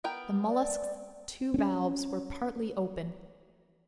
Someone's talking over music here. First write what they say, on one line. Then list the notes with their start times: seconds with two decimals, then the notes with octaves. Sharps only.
The mollusk's two valves were partly open.
0.04 B3 A#4 G5
0.47 D5
1.54 C4 C#4